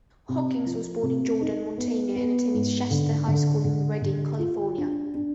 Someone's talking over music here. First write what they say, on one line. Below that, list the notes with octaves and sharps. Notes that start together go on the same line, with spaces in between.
Hawkins was born in Jordan, Montana and attended Shasta High School in Redding, California.
C3
F3
C3
D#4
B3
B3
G#2
D3
D3
D3
D3
F4
D4
D4